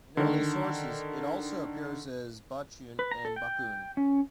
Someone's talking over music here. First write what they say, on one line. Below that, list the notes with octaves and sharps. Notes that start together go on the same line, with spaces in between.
In early sources, it also appears as "Bachun" and "Bacun".
D3 D#3
B4
A#5
A4
G5
C#4